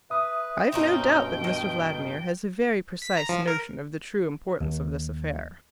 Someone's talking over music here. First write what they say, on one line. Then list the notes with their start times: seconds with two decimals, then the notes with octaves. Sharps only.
"I've no doubt that Mr Vladimir has a very precise notion of the true importance of this affair."
0.10 B4 E5 D#6
0.72 G2 B2 C4 C#4 D#4 G5
1.44 D#3
3.02 B6
3.17 A#5
3.29 F3
3.47 A#4
4.61 D#2